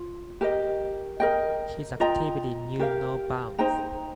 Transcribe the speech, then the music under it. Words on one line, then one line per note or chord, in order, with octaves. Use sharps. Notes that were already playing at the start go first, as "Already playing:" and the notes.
His activity knew no bounds.
Already playing: F4
G4 A#4 D#5
A#4 D#5 G5
F4 D#5 G5 A#5
G4 A#4 F5
D#4 C5 G5 A#5